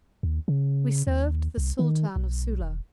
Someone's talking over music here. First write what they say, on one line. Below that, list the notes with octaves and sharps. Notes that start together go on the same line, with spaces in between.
We served the Sultan of Sula.
D#2
C#3
D#2
C2
D#3
B1
E1